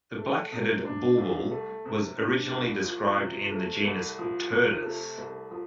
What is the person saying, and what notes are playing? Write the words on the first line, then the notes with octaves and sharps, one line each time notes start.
The black-headed bulbul was originally described in the genus "Turdus".
A3
C3
D4
C2
A3
C3
D4
C2
F3
C3
A3
C2
F3
C3
A3
C2
F3